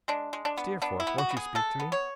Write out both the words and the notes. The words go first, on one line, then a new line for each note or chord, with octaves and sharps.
'Steerforth! won't you speak to me?'
G#3 D4
G#3
D4
B3
B3 D4
E4
B3
F#4
B3
G#4
G#3 A4
B3
C#5